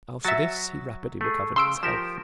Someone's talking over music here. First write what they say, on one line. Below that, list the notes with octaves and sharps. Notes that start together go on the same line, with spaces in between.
After this he rapidly recovered his health.
F#3 F#4 E5 A6
A3 G#4
C#3 C6 E6 D7
F3 G4 A#4 E7